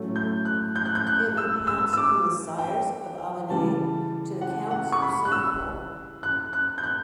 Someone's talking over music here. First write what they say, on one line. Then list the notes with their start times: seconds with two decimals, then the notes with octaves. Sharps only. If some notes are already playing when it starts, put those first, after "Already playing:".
It had passed from the sires of Avesnes, to the Counts of Saint Pol.
Already playing: A2 F#3 A3 C#4
0.16 G6
0.45 F#6
0.76 G6
0.86 F#6
0.95 G6
1.07 F#6
1.37 E6
1.67 E6
1.93 E6
1.97 D6
2.59 G5
3.50 C#3 E3 G3 A5
4.41 F#5
4.71 F#5
4.92 C#6
5.02 B5
5.25 F#6
5.32 E6
6.23 F#6
6.53 F#6
6.78 G6
6.83 F#6